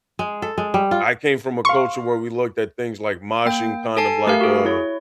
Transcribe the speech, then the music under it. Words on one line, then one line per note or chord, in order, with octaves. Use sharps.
I came from a culture where we looked at things like moshing kind of like, uh
G#3
A4
G#3
G3
F4
F5 C6 C#6
A#3 G5
A4 G#5 A5 C7
A3 G4 A#4 F5
F#4 G#4
E4 C#5